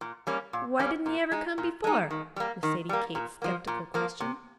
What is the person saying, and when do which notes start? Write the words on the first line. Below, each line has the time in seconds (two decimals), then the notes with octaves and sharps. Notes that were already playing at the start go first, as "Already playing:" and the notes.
"Why didn't he ever come before?" was Sadie Kate's skeptical question.
0.01 A#2
0.27 G3 A#3 C#4
0.53 A#2
0.79 G3 A#3 C#4
1.06 A#2
1.32 G#3 D#4
1.58 A#2
1.84 G#3 D#4
2.11 D#3
2.36 G3 A#3
2.63 D#3
2.89 G3 A#3
3.15 A#2
3.42 F3 A#3
3.67 A#2
3.94 F3 A#3
4.20 C3